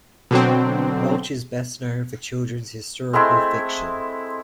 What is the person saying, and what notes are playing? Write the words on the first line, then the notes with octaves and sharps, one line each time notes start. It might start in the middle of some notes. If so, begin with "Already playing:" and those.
Welch is best known for children's historical fiction.
B2 D3 F#3 C4
G#3 A3 C4 E4